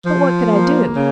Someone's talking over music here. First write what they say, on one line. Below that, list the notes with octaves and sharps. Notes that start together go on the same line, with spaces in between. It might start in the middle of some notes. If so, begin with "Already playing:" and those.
But what could I do?
F3
A#3
C#3